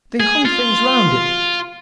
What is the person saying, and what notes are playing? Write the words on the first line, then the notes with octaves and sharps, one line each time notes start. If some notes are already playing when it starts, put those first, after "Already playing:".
They hung things round it.
G#4
F4